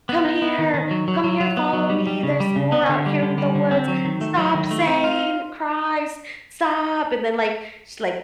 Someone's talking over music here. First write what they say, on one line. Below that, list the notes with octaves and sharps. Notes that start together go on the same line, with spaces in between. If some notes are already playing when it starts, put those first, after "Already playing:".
"Come here! Come here, follow me, there's more out here in the woods. Stop saying Christ! Stop!" and then, like, she, like
B3
D#4
B3
D#3
D#3
F#3
F#3
F#3
F#3
B3
F#3
G3
G3
C#3
G3
C#3
B3
D3
G3
D3
G3
D3
C4
F#3
D#3
A3
F#3
D#3
A3
C4
F4